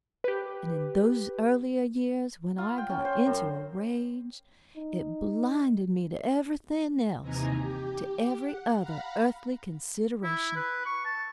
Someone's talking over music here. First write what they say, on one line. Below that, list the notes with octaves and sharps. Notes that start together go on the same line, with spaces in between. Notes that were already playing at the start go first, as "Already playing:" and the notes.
And in those earlier years, when I got into a rage, it blinded me to everything else, to every other earthly consideration.
G4 B4
F4
G5
C#4
C5
F#2
D#4
D#2 C3 E3 D#4 G#5 A#5
G4
F#5
F5 F#5 A#5 B5
E4
B4
C#6
A5